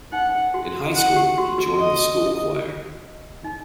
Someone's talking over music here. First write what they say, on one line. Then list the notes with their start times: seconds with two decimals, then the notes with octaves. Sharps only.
In high school, he joined the school choir.
0.12 D#4 F#5
0.54 F#4
0.96 F#5
1.16 G4
1.38 F#4
1.58 F#4
1.79 D#5
3.44 D#4